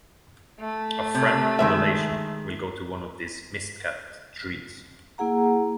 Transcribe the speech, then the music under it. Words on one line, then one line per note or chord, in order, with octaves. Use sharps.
A friend or relation will go to one of these mist-capped trees.
A3
C3
D#3 G#3 E5
A#3 E4 G#4 F#5 A#5